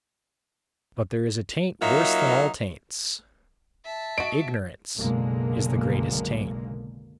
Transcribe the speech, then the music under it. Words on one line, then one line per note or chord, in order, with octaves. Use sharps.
But there is a taint worse than all taints,--ignorance is the greatest taint.
F#3 A#3 D#4 F4 E5
E5 A5
F#4 D#5 D7
F#1 B1 D3 G#3 A#3